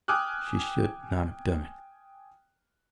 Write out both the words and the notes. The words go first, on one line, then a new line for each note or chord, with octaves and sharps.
She should not have done it.
G5 G#5 D6 D#6 F6 F#6